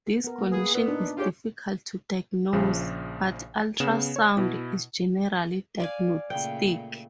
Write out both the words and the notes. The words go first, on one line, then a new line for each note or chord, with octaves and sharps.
This condition is difficult to diagnose, but ultrasound is generally diagnostic.
B3 A#4
A#3
G#4 B4
A#2 B3
D4 D#4
D4 F4 G4 G#4 C#5
A#1 C#3 F3
C#3 B3 E7
C#5
B2 E4
D5 F5 G#5
A#2 C#3 A3 G5